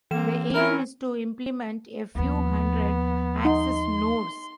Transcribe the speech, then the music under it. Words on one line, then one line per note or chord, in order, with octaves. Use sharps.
The aim is to implement a few hundred access nodes.
E3 A#3 C4 E7
C4 C#4 E4 A#4
D#2 F3 B3
D#4 C6